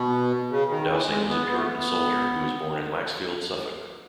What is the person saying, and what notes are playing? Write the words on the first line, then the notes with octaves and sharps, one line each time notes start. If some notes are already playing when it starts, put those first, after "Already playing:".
Dowsing was a puritan soldier who was born in Laxfield, Suffolk.
Already playing: B2
C#3
D#3
E3
G#3
B3
B3
A3
B3